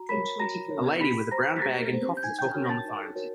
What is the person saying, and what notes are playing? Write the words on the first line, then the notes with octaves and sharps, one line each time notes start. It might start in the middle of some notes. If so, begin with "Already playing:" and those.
A lady with a brown bag and coffee talking on the phone.
Already playing: F#4 A#5
A#4 C#5 B5 B6
F#4 A#5 A#6
A#4 C#5
G4 B5 B6
C5 A#5 A#6
B6
G4 A#5 A#6
C5
G6
D#4 G#5 G#6
G5 G6
F#4 A#4 C#5
A5 A6
D#4
F#4 A#4 C#5